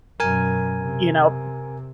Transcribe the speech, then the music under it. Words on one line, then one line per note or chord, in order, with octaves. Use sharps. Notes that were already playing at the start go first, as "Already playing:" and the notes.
you know,
F#2 B2 A#4 G#5
C3